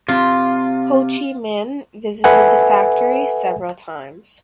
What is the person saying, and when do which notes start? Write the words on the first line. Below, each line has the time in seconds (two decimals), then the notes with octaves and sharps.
Ho Chi Minh visited the Factory several times.
0.08 C3 F4
2.24 A4 B4 E5 F#5 G#5